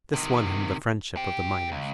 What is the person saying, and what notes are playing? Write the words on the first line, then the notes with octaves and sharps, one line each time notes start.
This won him the friendship of the miners.
C3 D#3
C4 G4
C#2